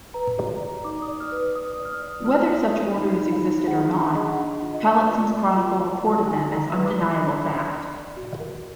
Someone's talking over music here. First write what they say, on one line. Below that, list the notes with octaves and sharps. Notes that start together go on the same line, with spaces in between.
Whether such orders existed or not, Palitsyn's chronicle reported them as undeniable fact.
B4 A#5
F#4
A#5
D5
D#4 D6
D#6
D5
F6
B4
D5 D#6
D5
F6
D#6
D5
F4 F6
F4 D#6
D5
D#4 B5
D#4
F5
D#4
G#4 F#5
D4
G#4 D#5
F#5
D4 F5
F4
D#5
D5
F4
D5
F4
D5 F5
F#4 F5
D#4 G#5
D5 A#5
B5
B4
D6
D5
F#6
D4
D5
D5
D5
F#4
A#4